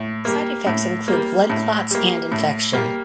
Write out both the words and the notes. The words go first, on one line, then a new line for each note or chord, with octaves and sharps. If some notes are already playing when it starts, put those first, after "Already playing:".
Side effects include blood clots and infection.
Already playing: A2
G3 A#3
A2
G3 A#3
A2
G3 A#3
A2
G3 A#3